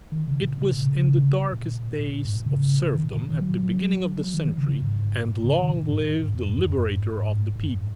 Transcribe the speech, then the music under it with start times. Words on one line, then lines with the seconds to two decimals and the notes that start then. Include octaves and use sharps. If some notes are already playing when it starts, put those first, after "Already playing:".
It was in the darkest days of serfdom at the beginning of the century, and long live the Liberator of the People!
0.12 D#3
0.28 C#3
0.42 A#2
0.58 C#3
0.72 A#2
0.85 C#3
1.53 A#2
1.99 A#2
2.25 G#2
2.36 A#2
2.46 C#3
2.94 D#3
3.05 A#2
3.16 A#2
3.29 D#3
3.41 F#3
4.24 F#3
4.34 D#3
4.58 C#3
4.82 G#2
5.29 A#2
5.44 C#3
5.61 D#3
5.76 A#2
5.88 G#2
6.00 A#2
6.11 A#2
6.23 G#2
6.35 F#2
6.46 G#2
6.58 F#2
6.70 F#2
6.93 G#2
7.17 G#2
7.56 G#2
7.64 F#2